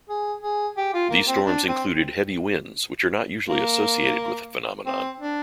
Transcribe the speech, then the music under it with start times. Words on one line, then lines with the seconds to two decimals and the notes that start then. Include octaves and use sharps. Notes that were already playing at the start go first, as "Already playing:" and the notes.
These storms included heavy winds which are not usually associated with the phenomenon.
0.09 G#4
0.43 G#4
0.77 G4
0.94 F4
1.11 A#3
1.28 C4
1.45 D4
1.68 C4
3.49 A#3
4.86 C4
5.20 D4